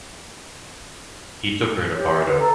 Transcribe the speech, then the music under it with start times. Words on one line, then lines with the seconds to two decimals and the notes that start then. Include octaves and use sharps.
He took her to Barda.
1.93 G4 C#5
2.27 D3 B4
2.40 A4 A#5